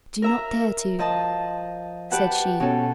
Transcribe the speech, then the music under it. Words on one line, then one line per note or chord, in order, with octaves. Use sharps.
"I do not dare to," said she.
A#4 E5 A#5
F3 D#5 A5
G4 B4 F#5 A5
B2 C#4 A4